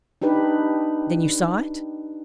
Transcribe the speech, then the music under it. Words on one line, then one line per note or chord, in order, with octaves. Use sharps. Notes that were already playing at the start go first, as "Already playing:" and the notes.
"Then you saw it?"
D4 D#4 G4 B4